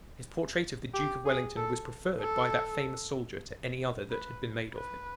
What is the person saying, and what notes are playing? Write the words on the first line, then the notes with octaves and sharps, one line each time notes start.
His portrait of the Duke of Wellington was preferred by that famous soldier to any other that had been made of him.
G4
G#4
A4
A4
B4
B4